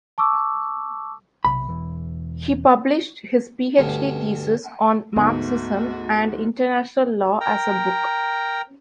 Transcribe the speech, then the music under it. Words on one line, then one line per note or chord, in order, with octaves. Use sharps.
He published his PhD thesis on Marxism and international law as a book.
A5 C#6 D6 E6
B1 C3 B5
E1 E3
D2 G2 B2
D2 G#2 A3 B3 F#4
A#4 G5 A#5